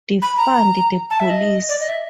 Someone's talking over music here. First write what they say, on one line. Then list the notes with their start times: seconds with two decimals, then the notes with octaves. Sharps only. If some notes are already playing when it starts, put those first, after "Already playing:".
Defund the Police.
0.22 B5
0.37 A#5
1.10 A5
1.20 E5
1.30 D#5
1.69 D5
1.80 D#5
1.89 E5